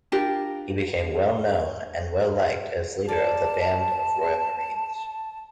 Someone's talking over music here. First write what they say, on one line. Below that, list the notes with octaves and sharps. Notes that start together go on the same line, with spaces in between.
He became well-known and well-liked as leader of the Band of the Royal Marines.
D4 F4 G4 A#4
A#3 D5 A5